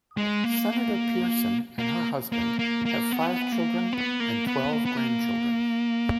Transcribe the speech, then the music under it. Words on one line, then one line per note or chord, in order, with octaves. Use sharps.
Senator Pearson and her husband have five children and twelve grandchildren.
G#3
A#3
A#3
A#3
A#3
A#3
B3
A#3
B3
A#3
B3
A#3
B3
A#3